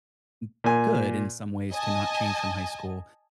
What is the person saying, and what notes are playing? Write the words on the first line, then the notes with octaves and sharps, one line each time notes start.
g good in some ways to not change from high school.
A#2 G#5
D#5 G#5 A5